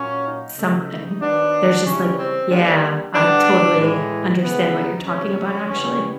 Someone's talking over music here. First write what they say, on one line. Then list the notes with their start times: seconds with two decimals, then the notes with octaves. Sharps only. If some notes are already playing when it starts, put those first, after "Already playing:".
Something. There's just like yeah, I totally understand what you're talking about, actually.
Already playing: A#2 F#3 A#3 C#4
0.24 D#4
0.56 C#3 E3 A3
1.20 D#3 F#3 B3 D4
1.84 C#3 E3 G3 C#4
2.16 C4
2.48 D3 G3 A#3 D4
3.13 D3 G3 B3 D4
3.77 A2 E3 G#3
4.40 C#3 E3 G#3 B3
4.72 D#4
5.05 C3 F3 A3 C#4
5.68 C#3 E3 G3 B3 C#4